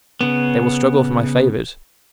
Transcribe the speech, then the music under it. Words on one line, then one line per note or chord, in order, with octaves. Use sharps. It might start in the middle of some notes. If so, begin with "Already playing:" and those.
They will struggle for my favors.
C#3 B3